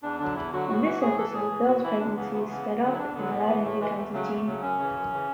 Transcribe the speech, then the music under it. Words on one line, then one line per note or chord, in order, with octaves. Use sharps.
In this episode, Belle's pregnancy is sped up, and Aladdin becomes a genie.
E2 D4
D3 F#3 D4
E2 E4
D3 F#3 F#4
A2 F#4
E3 F#4
A2 G#4
E3 A4
A2 G#4
E3
A2 F#4
E3 E4
D2 D4
C#3 E3 B3
D2 B3
A3
C#3 E3 B3
E2
D3
F#3
E4
E2 D4
D3 F#3 B3
A2
E3
A2 A3
E3 G#3
E2 A3
C#3 F#3 A3
E2 A3
C#3 F#3
F#2 C#4
C#3 E3
F#2
C#3 E3